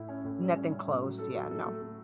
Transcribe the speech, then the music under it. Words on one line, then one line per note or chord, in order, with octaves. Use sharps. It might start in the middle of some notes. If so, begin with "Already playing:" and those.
Nothing close. Yeah, no.
Already playing: A2 E4
C#4
A2
G3
C#4
C#4
A2
F#3
A4
F#3
A4
A3
A3